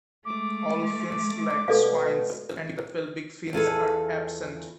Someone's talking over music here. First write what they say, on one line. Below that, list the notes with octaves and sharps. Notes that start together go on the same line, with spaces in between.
All fins lack spines, and the pelvic fins are absent.
G#3 A3 D6
B2 A4 D5 F5
E2 F4 G#4 A4